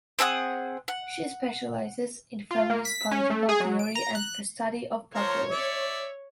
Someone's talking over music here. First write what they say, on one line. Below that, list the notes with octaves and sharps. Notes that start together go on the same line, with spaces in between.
She specializes in feminist political theory and the study of populism.
C4 G#4 F#5 D#6
F#5
F4
A#3
B6
C#4
A3
G#4
F#3
D7
A#5
F#6
F3 A#4 C5 C#5
D5 E5